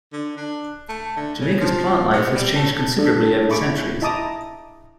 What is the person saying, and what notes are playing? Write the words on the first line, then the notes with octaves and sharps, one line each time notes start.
Jamaica's plant life has changed considerably over the centuries.
D3
D4
A3
D3
C#3
F3
C3
G3
A3
D4 A4
E4 G#4 B5 C#6 D6
E4 D#5 A5 A#5 D6 D#6